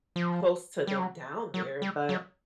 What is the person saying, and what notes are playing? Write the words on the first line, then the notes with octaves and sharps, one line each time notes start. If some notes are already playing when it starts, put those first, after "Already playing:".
close to them down there. But,
F3
G3
F#3
F#3
G3
F#3